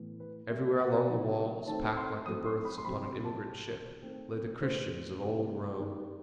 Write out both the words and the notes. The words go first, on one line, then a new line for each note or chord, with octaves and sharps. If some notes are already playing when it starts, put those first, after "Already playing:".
Everywhere along the walls, packed like the berths upon an emigrant ship, lay the Christians of old Rome.
Already playing: A2 E3 B3
B4
B2 G3 C4 E5
F#5
C3 D#3 F#3 C4
D#3 A3 C4 A5
C6
D#3 F#3 A3 C4 D#6
C6
B5
C6
C3 F#3 C4 B5
C6
A5
B2 G3 B3
D#3 A3 C4
A2 G3 B3 C5
C3 D#3 G3
D#3 G3 B3